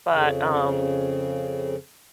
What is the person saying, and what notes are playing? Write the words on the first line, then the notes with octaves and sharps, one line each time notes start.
But, um
F2 C#3